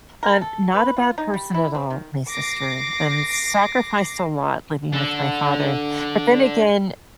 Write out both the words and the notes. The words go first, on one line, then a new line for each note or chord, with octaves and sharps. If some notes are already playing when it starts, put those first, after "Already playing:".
Um, not a bad person at all- my sister, um, sacrificed a lot living with my father. But then again,
A#4
A4
B4
F4
D#4
G3
E4
C4
D#3
D6 A#6 C7
D4 A4